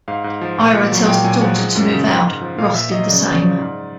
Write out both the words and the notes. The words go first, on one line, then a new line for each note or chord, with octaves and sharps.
Ira tells the daughter to move out, Roth did the same.
G#2 F5
G#2
F3
A#2
A#2
F#3
A#2 G5
A#2 G#5
F3 F#5
G#3
F#2
C#3
G#2
G#2
F3
A#2 F5
A#2 E5
F#3 D#5
C#3 D5
C#5
C#3
D5
F3
G#2